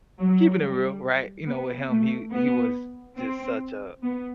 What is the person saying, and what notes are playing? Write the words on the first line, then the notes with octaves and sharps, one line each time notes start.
Keeping it real, right? You know, with him, he he was just such a
F#3
G3
B3
A3
B3
C4
B3